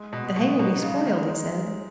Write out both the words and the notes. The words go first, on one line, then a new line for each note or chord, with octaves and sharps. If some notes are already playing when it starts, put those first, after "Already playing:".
"The hay will be spoiled," he said.
Already playing: G#3
B2
G#3
B2
B2 D#4
C#3
G#3
D#3
G#3